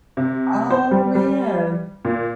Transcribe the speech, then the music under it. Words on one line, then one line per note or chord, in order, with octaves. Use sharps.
Oh, man.
C3
C5
G3
G3
A#2